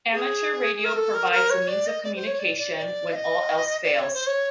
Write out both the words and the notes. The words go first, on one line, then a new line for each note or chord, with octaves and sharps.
Amateur radio provides a means of communication "when all else fails".
G#4
A#4
A4
A#4
A#4
C#5
D5
D#5
D5
C5
C#5
D5
D5
D#5
D5
F5
D#5
D5
C#5
C5
C#5